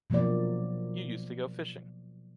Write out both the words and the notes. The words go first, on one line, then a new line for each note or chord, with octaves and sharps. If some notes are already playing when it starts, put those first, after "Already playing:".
You used to go fishing.
B2 F3 F#3 A#3 D5